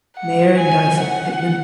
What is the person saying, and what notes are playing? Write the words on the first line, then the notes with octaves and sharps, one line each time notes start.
Mayor and Isaac Pitman.
F#5
G#5
F#5